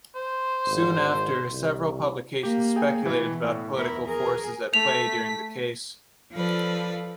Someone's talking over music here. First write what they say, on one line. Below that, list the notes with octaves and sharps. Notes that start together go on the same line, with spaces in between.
Soon after, several publications speculated about political forces at play during the case.
C5
G#1
C2
A#3 G4
G#4 G5 G#5
B2 E3
A2
E2 E4 A#4
G#4 A#4
A3 B6 F7
F3 F4 A4 B4 D5